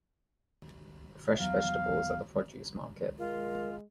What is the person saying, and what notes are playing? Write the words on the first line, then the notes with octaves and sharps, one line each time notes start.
Fresh vegetables at the produce market.
E2 F#3 F5
G#3 F4 A#4